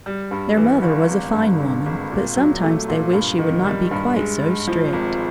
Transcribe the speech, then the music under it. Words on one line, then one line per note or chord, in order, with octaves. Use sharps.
Their mother was a fine woman, but sometimes they wished she would not be quite so strict.
G3
G2
E3
G1
G#1
G2
D3
G#1
A#2
F#3
A3
A#2
G2
D#3
G3
G2
G#3
G#2
F3
G#1